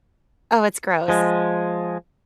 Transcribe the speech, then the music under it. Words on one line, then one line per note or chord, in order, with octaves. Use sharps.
oh, it's gross.
F3 G#3